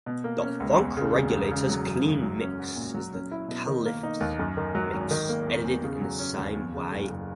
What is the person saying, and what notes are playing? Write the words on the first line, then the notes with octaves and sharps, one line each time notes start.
"The Funk Regulators Clean Mix" is the "Kaliphz Mix" edited in the same way.
B2
A#3
C#4
C#2
E2
C#3
E1
E1
C#3
F#3
F#2
F#2
F#3
C#4
F#4
A#2
F#3
C#4
E4
B2
D#3
A#3
D#4
D#2
F#2
D#3
F#3
G#1
D#3
A#3
E2
E2
C#3
F#3
C#4
D#2
E2
C#3
F#1
F#1